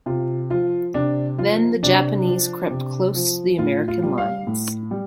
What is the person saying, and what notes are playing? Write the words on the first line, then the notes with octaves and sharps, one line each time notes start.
Then the Japanese crept close to the American lines.
C3 F4
F3 F4
C3 D4
F3 F4
C3 D4
F3
C3
F3
A2 F4
F4
G3
F5
A2
G3